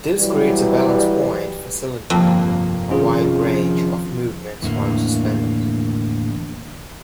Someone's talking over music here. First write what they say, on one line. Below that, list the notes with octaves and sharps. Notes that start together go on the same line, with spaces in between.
This creates a balance point facilitating a wide range of movements while suspended.
E3 F#3 G3
G1 F2 C3 A#3
C3 D#3 F3 C#4 F4 G#4
E2 A2 D3 A#3